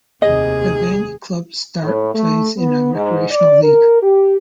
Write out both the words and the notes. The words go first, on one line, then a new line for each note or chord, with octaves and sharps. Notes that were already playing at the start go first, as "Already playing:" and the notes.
The bandy club Start plays in a recreational league.
F1 D#2 C3 G#4 D#5
A2
A3
B3
G#2
D5
A#4
G4